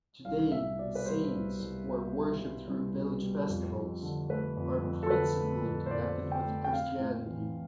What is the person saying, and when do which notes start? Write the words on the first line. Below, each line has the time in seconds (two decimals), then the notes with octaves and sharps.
Today, saints, who are worshipped through village festivals, are principally connected with Christianity.
0.25 C2 F5
0.52 C2 E5
0.79 B2 D5
0.95 B4
1.06 G3 C5
1.33 C2
1.60 C2
1.87 B2
2.14 G3
2.41 C2
2.68 C2
2.95 B2
3.22 G3
3.49 F2
3.75 F2
4.02 D3
4.30 A3 B4
4.57 F2
4.84 F2
5.03 A4
5.10 D3 B4
5.38 A3
5.65 F2
5.86 C5
5.91 F2 D5
6.18 D3
6.32 G5
6.45 A3
6.64 G5
6.73 C4 F5
6.99 A2
7.26 E3